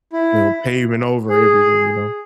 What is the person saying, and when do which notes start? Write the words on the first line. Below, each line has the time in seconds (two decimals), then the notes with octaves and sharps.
you know, paving over everything, you know?
0.13 E4
1.29 G#4